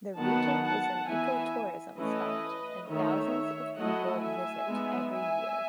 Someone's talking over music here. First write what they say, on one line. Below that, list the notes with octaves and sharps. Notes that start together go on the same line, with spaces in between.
The region is an eco-tourism spot, and thousands of people visit every year.
D#3 F#3 B3 D#4 F#5 A5
F#5 A5
E3 B3 E4 E5 G#5
E3 A3 C#4 E4 B4 D#5
D#3 A3 D#4 C#5 E5
F#3 A3 E4 D#5 F#5
E5 G#5
G#3 B3 D#4
E5 G#5